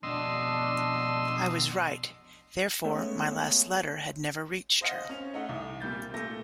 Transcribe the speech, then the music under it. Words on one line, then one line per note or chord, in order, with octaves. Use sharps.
I was right, therefore, my last letter had never reached her.
F2 B2 D4 D#5 C6 E6
G#3 A3 B3 C#4 C#5
C5 D#5 F5 F#5
C#4 F7
A3 D#4 F#5
C2
A#2 G3 G6 A6
A#2 A3 A#6